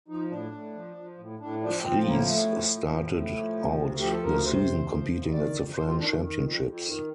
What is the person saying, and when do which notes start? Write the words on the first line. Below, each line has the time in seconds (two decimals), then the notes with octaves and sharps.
Friess started out the season competing at the French Championships.
0.08 F3 D#4
0.30 A2 D4
0.51 A2
0.74 F3
0.96 F3
1.18 A2
1.39 A2 D4
1.61 F3 D4
1.83 F3 C4
2.04 A2 A#3
2.26 A2 A3
2.49 F3
2.70 F3
2.93 A2
3.14 A2 A3
3.36 F3
3.58 C3
3.80 D2
4.00 F3 G4
4.12 A4
4.23 D2 A#4
4.45 C3 C5
4.67 D2
4.89 F3
5.10 D2
5.32 D#3 D5
5.54 F2
5.76 F2 C5
5.88 F4
5.98 D#3 D4
6.20 D#3
6.41 F2
6.64 F2
6.85 D#3